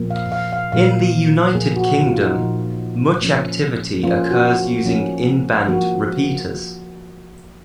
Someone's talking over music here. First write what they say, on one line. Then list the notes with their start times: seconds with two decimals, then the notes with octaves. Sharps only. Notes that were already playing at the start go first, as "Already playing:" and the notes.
In the United Kingdom, much activity occurs using in-band repeaters.
Already playing: A#2 F3 A#3
0.11 F5
0.32 F5
0.53 F5
0.72 A#2 F3 A#3 F5
1.55 A#2 F3 A#3 G#4
1.76 F#4
2.06 F4
2.17 D#4
2.38 A#2 F3 A#3
3.21 F3 A#3 C#4
4.03 F3 A#3 C#4 F4
4.31 F#4
4.86 F3 A#3 C#4
5.68 F3 A#3 F#4